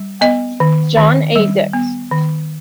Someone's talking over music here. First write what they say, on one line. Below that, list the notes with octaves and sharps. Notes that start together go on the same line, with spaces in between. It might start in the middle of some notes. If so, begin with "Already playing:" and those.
John A. Dix.
Already playing: G3
B3 D#5
D#3
D#3
G3
B3
D#3